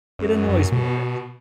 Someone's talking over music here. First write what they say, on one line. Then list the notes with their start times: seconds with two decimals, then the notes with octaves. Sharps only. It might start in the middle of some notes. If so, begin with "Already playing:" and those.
It annoys me a bit.
0.19 F#2
0.49 F#2
0.72 B2